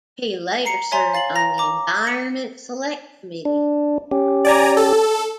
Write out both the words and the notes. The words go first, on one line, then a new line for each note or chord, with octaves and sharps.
He later served on the Environment Select Committee.
A#5 C7 C#7
C#5 E5 G#5 A#5 C6
F5 A6 C7 F#7
A#5 A#6
A#5 D6
C#7
D4
C#4 G4
D5 G#5 A#5
A4